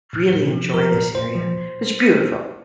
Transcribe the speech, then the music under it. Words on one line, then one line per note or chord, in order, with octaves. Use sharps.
really enjoy this area. It's beautiful.
A#2
A#2
F3
F3 A#4
A#2
A#2 C5
F3